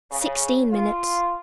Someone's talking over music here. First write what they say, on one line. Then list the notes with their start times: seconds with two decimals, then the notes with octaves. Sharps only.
Sixteen minutes.
0.10 C#3
0.71 F4